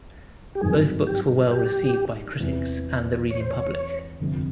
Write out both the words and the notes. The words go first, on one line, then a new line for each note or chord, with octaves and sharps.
Both books were well received by critics and the reading public.
G4
G#1 G2 D#3 F#3 G#4
G4
G4
E2 C3 E3
C#5
C5
C#5
G1 F2 C3